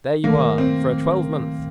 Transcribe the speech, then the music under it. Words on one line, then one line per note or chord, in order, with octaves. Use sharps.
There you are, for a twelvemonth!
D#3 F#3 A3 A#3
C4